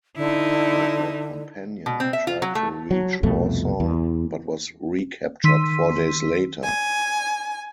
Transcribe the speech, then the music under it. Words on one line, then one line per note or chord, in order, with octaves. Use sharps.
With a companion he tried to reach Warsaw, but was recaptured four days later.
D3 D#4 E4
B2
C4
E5
F4
F#3
A3
F#3
C2 F2 B2 A3
E2
D#3 C6 E6 B6 D#7
G#5